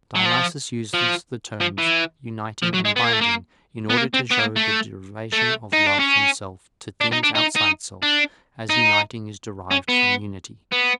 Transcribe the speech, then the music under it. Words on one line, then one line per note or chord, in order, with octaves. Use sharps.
Dionysius used the terms "uniting" and "binding" in order to show the derivation of love from self to things outside self; as uniting is derived from unity.
F#3
F3
F3
F3
E3
F3
F#3
G#3
B3
A#3
A3
A#3
B3
A#3
C4
B3
A#3
A3
A3
D#4
D4
C#4
D4
D#4
D4
D#4
D#4
D4
D#4
C#4
B3
B3